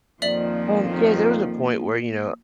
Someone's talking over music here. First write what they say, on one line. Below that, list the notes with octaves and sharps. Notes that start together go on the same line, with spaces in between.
Um, yeah, there was a point where, y you know,
F2 A#2 D#3 F3 A#3 D5 E5 F#7